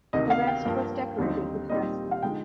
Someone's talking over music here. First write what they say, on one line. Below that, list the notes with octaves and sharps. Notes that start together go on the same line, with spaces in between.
The rest was decorated with frescos.
D2 C3 D#3 D#5
F5
G5
G2 F3 A#3
D#2 D3 G3 C4 D#4
A#2 G3 C4 D#4 D#5
F5
D3 F3 G#3 D#4 G5